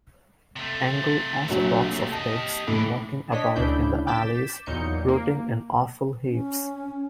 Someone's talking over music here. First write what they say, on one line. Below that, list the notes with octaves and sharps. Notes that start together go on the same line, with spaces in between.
Engels also talks of "pigs walking about in the alleys, rooting in offal heaps".
C3 A3
A#1 F#3
G4 D#5 A5
A2 D3 E3
D4 C#5 D#5 B6
D2 C#3 D4 E4 B5 G6
D6 G6 A6 B6 E7
E2 A#2 F#3 D#4 G6 C#7
A#2
A#3
C#4